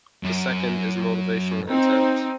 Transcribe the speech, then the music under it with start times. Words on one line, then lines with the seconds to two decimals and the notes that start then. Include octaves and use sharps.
The second is "motivational" intent.
0.24 F#2
1.68 C4 D#4